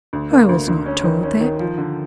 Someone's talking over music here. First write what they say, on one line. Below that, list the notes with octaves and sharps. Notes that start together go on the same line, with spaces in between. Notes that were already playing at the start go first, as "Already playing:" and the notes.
"I was not told that."
D2
A#3
D2
D2
C#4
D#3
C#4
D#3
F3
D3